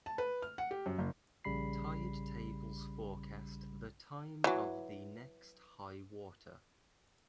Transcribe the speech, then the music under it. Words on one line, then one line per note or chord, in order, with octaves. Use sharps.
Tide tables forecast the time of the next high water.
A5
B4
F6
F#5
G4
F#2
F#1
A#1 C#3 G3 B5 C7
E3 F#3